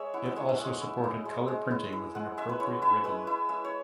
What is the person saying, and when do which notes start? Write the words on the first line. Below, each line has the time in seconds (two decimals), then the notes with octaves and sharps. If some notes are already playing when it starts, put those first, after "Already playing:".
It also supported color printing with an appropriate ribbon.
Already playing: G#3 C#5 E5
0.14 E4 F#5
0.26 E5
0.36 G#3 C#5
0.49 E5
0.59 G#3
0.81 E4
1.04 E4
1.25 G#3
1.48 G#3
1.71 E4
1.93 E4
2.15 G#3 F#5
2.37 G#3 E5
2.49 B4
2.60 E4 C#5
2.82 E4 E5
3.04 G#3 B4
3.27 E4 E5
3.49 G#3 E5
3.65 C#5